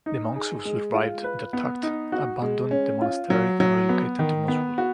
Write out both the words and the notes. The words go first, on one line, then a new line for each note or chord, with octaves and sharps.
The monks who survived the attack abandoned the monastery and relocated to Mosul.
D#4
G#4
G#3
F4
B4
B3
D#4
F#4
G#3
C#4
F4
F#3
F#3
B3
D#3
B3
F#4